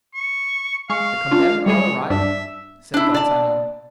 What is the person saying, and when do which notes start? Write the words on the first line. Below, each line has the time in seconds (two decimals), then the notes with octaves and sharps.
"The condemned are arrived," said D'Artagnan.
0.15 C#6
0.90 G#3 F5 C#6
1.31 C#4 D4 F4
1.66 G3 G#3 G#4 C#5
2.10 G2 D4 E5
2.94 D4 E4
3.14 D5 A5